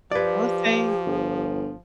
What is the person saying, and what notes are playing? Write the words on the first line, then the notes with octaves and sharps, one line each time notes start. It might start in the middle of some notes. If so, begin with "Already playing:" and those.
I would say
F3 G4 B4 D5
G1